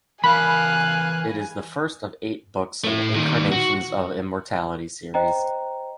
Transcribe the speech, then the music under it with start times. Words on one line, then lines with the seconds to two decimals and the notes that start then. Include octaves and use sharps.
It is the first of eight books in the Incarnations of Immortality series.
0.24 E3 A#4 D5 F5 G#5 B5 F#6
2.84 A3 E4
3.14 A#2 D#3
3.52 F#4
5.14 C5 D#5 G5 A#5